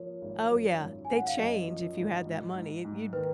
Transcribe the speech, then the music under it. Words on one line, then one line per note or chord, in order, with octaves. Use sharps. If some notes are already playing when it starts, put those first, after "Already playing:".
Oh yeah. They change if you had that money. It you
Already playing: F3 A#3 C#5
G#1
F#2
G#1
G#5
G#1
F#5
F5
F#2 D#5
F3
G#1
G#2
G#2
G#2
D#3 B4